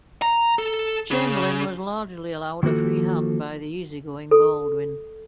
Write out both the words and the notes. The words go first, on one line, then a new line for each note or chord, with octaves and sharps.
Chamberlain was largely allowed a free hand by the easy-going Baldwin.
A#5
A4
C#3
D#3 F3 A#3 F#4 A4
A4